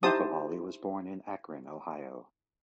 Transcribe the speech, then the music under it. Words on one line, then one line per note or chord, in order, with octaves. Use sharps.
Michael Holley was born in Akron, Ohio.
D#4 E4 G4 C5 A5 D#6